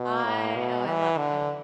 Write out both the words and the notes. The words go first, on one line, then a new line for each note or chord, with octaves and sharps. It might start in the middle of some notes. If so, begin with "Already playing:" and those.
I Oh, I love food.
Already playing: B2
A2
B2
E3
D3